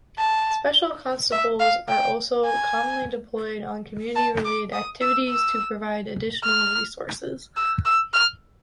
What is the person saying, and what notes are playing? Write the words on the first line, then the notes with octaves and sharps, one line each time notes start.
Special Constables are also commonly deployed on community related activities to provide additional resources.
A5
E5
F5
G5
G#5
A5
D6
D#6
E6
E6
F6
E6
E6
F6